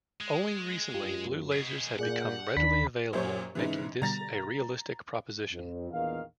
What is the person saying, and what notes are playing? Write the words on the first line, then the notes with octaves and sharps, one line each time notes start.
Only recently blue lasers have become readily available making this a realistic proposition.
G#3
F#2 F4 G4
B2 G#4 B6
A#2 G#4 D5 F#5 G6
D#2 D#3 D4 B5
F#2 A#2 G4 C5 C#5
G#2 C#3 E3
B2 D3 G3 A#5 A6 A#6
F2
A#1 E2 D#3 F5